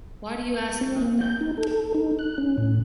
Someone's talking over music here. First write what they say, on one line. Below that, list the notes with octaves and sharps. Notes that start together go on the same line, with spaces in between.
Why do you ask about that?
C4
A#3
G6
D#4
A4
A4
D#4
F#6
C#4
A2